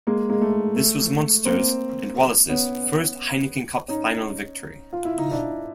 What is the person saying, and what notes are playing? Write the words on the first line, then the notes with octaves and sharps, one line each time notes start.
This was Munster's, and Wallace's, first Heineken Cup Final victory.
G#3 A#3
G#3 A#3
A3
A3
A#3 C4
B3 C#4
C#4 D#4
F4
E4
D#4
D4 E4